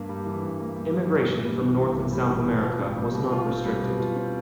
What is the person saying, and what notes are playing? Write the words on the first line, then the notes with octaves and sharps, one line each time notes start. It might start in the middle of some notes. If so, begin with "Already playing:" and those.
Immigration from North and South America was not restricted.
Already playing: G2 A#3
G3
E3
G2
A#3
G3
E3
G2
A#3
G3
E3
G2
A#3
G3
E3
B2
F4
C4
G3
B2
F4
C4
G3
B2
F4
C4